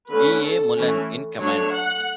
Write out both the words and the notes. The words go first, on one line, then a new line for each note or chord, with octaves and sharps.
E. A. Mullan in command.
D3 A3 C#4 B4
A4
E3 A3 C#4
F#3 A3 D4 C#5
F#5